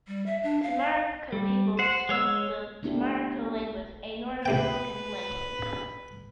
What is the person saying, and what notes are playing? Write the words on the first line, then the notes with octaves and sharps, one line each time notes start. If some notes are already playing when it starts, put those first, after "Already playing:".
Chimariko people spoke the Chimariko language, a Northern Hokan language.
G3
E5
D4
F5
G3
C5 F#5
G#3 C#5 E6
A3 B3 D4 E4 G4
C#2 C3 B4 G5